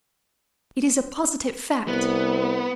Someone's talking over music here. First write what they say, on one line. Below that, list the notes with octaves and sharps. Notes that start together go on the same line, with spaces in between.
It is a positive fact!
C2 B3